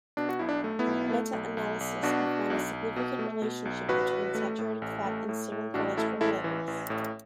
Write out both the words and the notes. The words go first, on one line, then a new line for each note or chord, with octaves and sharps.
Meta-analyses have found a significant relationship between saturated fat and serum cholesterol levels.
B2 D4
F#4
B1 E4
D4
A3
B3 E4
B1
A3
B1
B1
B1
B2 D4 F#4
B2
B1
B1
B2
A3
B2
B1
A1 F#4 B4
A1
A3
A2
A1
A3
A2
A2
A1 D4 F#4
F#4
A3 E4 A4
A1 E4 A4
E3
A1
A2